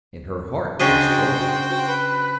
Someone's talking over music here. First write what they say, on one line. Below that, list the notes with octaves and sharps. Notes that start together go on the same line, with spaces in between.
In her heart was joy.
C#3 D4 F#4 C5 D#5 G5
B4